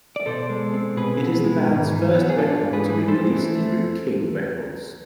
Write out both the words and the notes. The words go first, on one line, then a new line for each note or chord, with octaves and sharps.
It is the band's first record to be released through King Records.
D5
B2 A4 C5
G#3
C4
B2 G#4 B4
B2
G#3
G#2
E3
B3
G#4
D4 F4 A4
G#2
G#4 B4
E3
F2 A4 C5
E3
A3